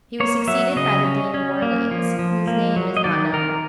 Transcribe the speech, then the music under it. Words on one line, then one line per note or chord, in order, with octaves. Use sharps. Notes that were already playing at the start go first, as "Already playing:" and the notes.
He was succeeded by the Dean of Orleans, whose name is not known.
A#3 C#5
F#3 E5
C#3 D#5
C#4
C#4
A#3
F3
F3
A#3
F#3
D#5
D#3 D5
D#3 A#4